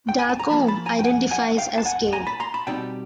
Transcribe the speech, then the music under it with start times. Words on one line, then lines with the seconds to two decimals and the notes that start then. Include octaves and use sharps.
Darkholme identifies as gay.
0.09 G5
0.19 G#5
0.29 A5
0.39 A#5
0.50 F3 A#3 C#4 A5 B5
0.68 A5 B5
0.86 G#5 A#5
0.99 G5
1.04 F#5 G#5
1.31 F#5 G#5
1.58 F5 G5
1.78 A5
1.85 F#5 G#5
2.13 G#5 A#5
2.27 A5 B5
2.40 A#5 C6
2.54 A5 B5
2.67 B2 G3 C4 D#4 G5 A5